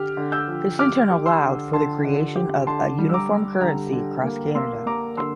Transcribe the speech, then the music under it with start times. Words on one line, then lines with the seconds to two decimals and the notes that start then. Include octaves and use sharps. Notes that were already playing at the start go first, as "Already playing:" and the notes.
This in turn allowed for the creation of a uniform currency across Canada.
Already playing: D3 G4 F6
0.17 D3
0.32 E6 G6
0.48 F3
0.79 G4 D6 F6
1.11 G4
1.26 C6 E6
1.42 D3
1.73 D3 A5 C6
2.04 D3
2.36 G4
2.67 D3 A5 C6
2.99 G3
3.09 E6
3.14 A#5 D6
3.30 G3
3.61 D3 G5 A#5
3.93 D3
4.24 A#3
4.55 A#3 C6 E6
4.86 A#3 A#5 D6
5.17 D3 C6 E6